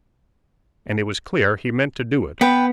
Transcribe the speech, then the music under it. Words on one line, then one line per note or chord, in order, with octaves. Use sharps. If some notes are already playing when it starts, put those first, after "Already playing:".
And it was clear he meant to do it.
B3 B4 G5